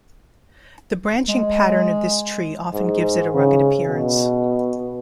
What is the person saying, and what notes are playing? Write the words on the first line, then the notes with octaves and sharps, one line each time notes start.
The branching pattern of this tree often gives it a rugged appearance.
G#3
G#2
C#3
B2